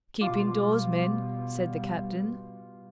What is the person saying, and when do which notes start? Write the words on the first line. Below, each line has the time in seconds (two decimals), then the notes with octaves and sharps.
"Keep indoors, men," said the captain.
0.21 B2 G3 F4 C6 D6